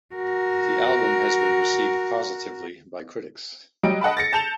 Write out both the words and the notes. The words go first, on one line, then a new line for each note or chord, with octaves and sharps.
The album has been received positively by critics.
F#4 A#4
F#3 G3 D#5 D7
D#5 F#5 A5 B5
A6 A#6 C#7
A5 G6 E7 F7